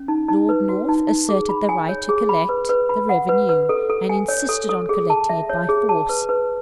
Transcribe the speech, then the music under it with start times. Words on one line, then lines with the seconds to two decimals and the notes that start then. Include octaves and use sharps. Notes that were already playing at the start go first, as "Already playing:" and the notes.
Lord North asserted the right to collect the revenue, and insisted on collecting it by force.
Already playing: C#4
0.08 D#4
0.29 D#4
0.49 B4
0.69 F#4
0.89 D#4
1.08 D#4
1.29 G#4
1.49 B5
1.69 G#5
1.89 C#5
2.09 G#4
2.29 B5
2.49 B4
2.69 B4
2.89 B5
3.09 F#5
3.29 B4
3.49 B4
3.69 A4
3.89 A4
4.09 G#5
4.28 C#5
4.49 A4
4.69 A4
4.89 G#4
5.10 A5
5.29 E5
5.49 C#5
5.69 G#4
5.89 A5
6.09 B4
6.29 B4